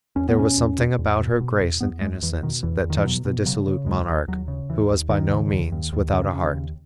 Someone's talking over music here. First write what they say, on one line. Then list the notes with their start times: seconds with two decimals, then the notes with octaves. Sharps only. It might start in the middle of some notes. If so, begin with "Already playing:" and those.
There was something about her grace and innocence that touched the dissolute monarch, who was by no means without a heart.
0.16 E2 C#4
0.28 B3
0.37 B2 C#4
0.58 E2
0.78 B2
0.99 E2
1.20 B2
1.41 B2
1.60 E2
1.81 E2 B3
2.01 E2 G#3
2.22 E2 E3
2.43 B2 D#3
2.63 E2 E3
2.84 E2
2.90 D#3
2.97 E3
3.04 B2 F#3
3.25 B2
3.46 C#3 F#3
3.67 C#3
3.86 D#2 G#3
4.08 D#2
4.28 D#2 F#3
4.48 C#3
4.69 D#2 E3
4.90 D#2
5.10 D#2 D#3
5.30 C#3
5.51 D#2
5.72 D#2
5.93 D#2
6.13 C#3
6.33 C#3
6.54 D#2